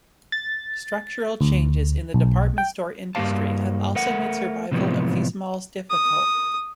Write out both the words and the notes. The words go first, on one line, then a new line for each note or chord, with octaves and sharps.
Structural changes in the department-store industry have also made survival of these malls difficult.
A6
D2
B1
G5
G2 A#3 C4 G4 F5 A5
A3 A#4 F#5
A2 C3 E3 F3 G#3 B3
D#6